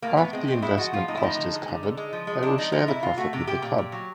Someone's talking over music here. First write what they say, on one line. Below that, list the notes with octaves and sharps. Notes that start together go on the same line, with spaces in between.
After the investment cost is covered they will share the profit with the club.
A2 A#3
A2 B3
G#3 C4
A2 C4
G#3 E4
F3 F#4
F3 F4
A2 D#4
E4
F3 D#4
D3
G#3
D3
D3
G#3
F3
G#3
C3 D4
F3 D#4
F3 D#4
C3 E4
C3 F4
A3 F#4
C3 G4
C3 G4
A#2
A#2
F#3